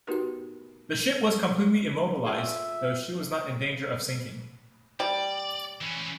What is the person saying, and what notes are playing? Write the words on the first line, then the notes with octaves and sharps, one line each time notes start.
The ship was completely immobilized, though she was not in danger of sinking.
B3 D#4 F#4 G4 A#4 B4
F4 G#4 A4 E5
G3 D5
E3 C#4